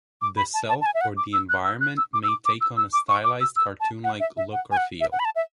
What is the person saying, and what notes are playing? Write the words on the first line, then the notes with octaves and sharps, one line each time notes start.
The self or the environment may take on a stylized cartoon-like look or feel.
D6
B5
A5
A5
A5
G#5
E5
F#5
D6
E6
F#6
E6
F#6
E6
D6
E6
D6
D6
E6
E6
D6
C#6
D6
E6
E6
A5
F#5
E5
E5
F#5
G#5
F#5
E5
F#5
B5
A5
E5